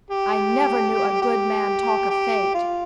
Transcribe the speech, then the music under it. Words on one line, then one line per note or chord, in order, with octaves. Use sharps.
I never knew a good man talk of fate.
G4
G4
G4
F4